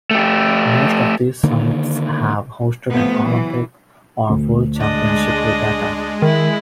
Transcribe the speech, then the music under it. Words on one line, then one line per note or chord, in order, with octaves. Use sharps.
Most of these sites have hosted an Olympic or world championship regatta.
A3 G4
D3 D#3 A#3
C3 F3 A3 B3
E3 F#3
D2
G#3 D4 D#5
D#3 E4